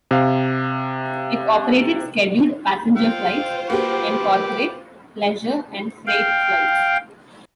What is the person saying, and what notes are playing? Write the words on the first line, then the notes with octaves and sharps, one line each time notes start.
It operated scheduled passenger flights and corporate, pleasure and freight flights.
C3 F5
F4 C5 F5 G5
A#3 F#4 G4 B4 G5 D6
F5 G5